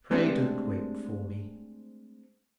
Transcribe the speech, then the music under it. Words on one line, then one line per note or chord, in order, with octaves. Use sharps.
Pray, don't wait for me.
G#3 A3 C4 D4 G4 A4